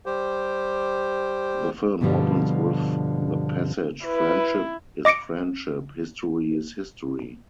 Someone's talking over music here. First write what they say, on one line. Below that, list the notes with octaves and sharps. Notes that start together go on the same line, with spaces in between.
The film opens with the passage Friendship is friendship; history is history.
G3 G4 C5
G2 B2 D3 F3 G3
E4 B4
D#5 D6 A#6 C#7 D7